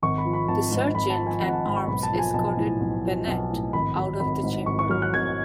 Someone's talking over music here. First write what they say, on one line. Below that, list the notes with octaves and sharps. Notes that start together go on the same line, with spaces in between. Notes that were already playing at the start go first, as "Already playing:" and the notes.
The Sergeant at Arms escorted Bennett out of the chamber.
G#1 C#6
B5
F3
B5
G#1 A5
G#2
G#1 B5
A5
F3
G#5
G#1 F#5
A5
G#2 B5
C#6
B1 B5
A5
F3
G#5
B1 A5
A2
B1
F3
B1
A2
G#1 B5
F#3
G#1 B5
G#2
G#1 C#6
C#6
F#3 F6
F#6
G#1 G#6